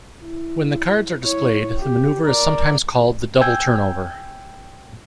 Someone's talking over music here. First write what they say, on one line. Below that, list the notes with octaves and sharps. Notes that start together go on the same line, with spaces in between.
When the cards are displayed, the maneuver is sometimes called the "double turnover".
E4
E4 C#5
G4
A#4 D5
G5 G#5 E6 G6 G#6